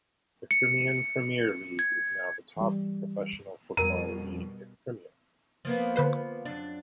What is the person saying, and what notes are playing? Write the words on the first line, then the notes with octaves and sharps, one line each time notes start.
The Crimean Premier League is now the top professional football league in Crimea.
C#7
G#6
E3 G3
F2 B2 G3 A#4 A#5 D#7
F3 A#3 B3
D3 B4 C5
F#2 D4